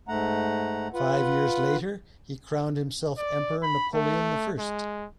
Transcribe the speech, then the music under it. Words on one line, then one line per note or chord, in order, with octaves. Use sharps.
Five years later, he crowned himself Emperor Napoleon the First.
G#2 A3 F#5 A#5
F4 B4 F#5
D5
B5
A3
G#3